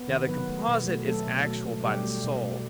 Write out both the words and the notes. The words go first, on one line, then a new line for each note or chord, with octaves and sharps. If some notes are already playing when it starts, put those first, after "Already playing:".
Now the composite is actual by the soul.
Already playing: B3
D#3
F#3 B3 B4
A3
B2
A3
F#3 A3 A4
B2
A3
A3
B2 G3 G4
A3
B2
A3